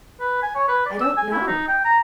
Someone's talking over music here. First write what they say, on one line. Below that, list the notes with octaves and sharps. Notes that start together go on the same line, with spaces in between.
"I don't know."
B4
G#5
C#5
B4
D5
E6
G#5
E4
D#4
G5
A#5